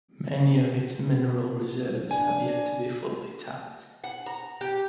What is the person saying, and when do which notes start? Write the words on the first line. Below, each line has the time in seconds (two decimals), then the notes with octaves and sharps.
Many of its mineral reserves have yet to be fully tapped.
2.11 D4 G#5
4.04 F#5
4.26 A#5
4.61 G4